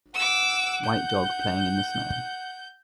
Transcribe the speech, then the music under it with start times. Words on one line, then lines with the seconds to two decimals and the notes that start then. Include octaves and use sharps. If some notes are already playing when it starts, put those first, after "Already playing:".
White dog playing in the snow.
0.14 F#5 D6 E6
0.84 G6